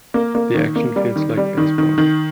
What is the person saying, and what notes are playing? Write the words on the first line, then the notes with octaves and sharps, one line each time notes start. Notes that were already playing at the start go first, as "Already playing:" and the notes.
The action feels like baseball.
A#3
A#3
D#3
A#3
G3
D#3
G3
D#3
D#3
D#3